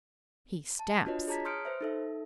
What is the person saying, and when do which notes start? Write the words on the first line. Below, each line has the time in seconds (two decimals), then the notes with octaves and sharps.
He stamps.
0.79 A5
1.06 D4 F4 F#4 B4 C#5 D#5
1.28 G#4 C#5 A5 A#5 G#6 B6
1.45 C6 D#6 F6 G6 C#7 D7
1.65 B4 C5 E5
1.81 D#4 A4 E5